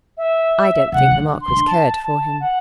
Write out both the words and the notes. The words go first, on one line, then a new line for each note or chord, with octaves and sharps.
"I don't think the Marquis cared for him."
E5
C3 F#5
D3
C6
D3
A5
A5
F#5